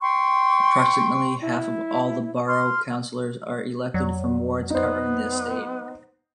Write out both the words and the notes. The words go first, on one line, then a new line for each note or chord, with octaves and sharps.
Approximately half of all the borough councillors are elected from wards covering the estate.
G5 C6 C#6
E4
C6 F6
F2 F#3 D5 F#5
B3 D#4 C5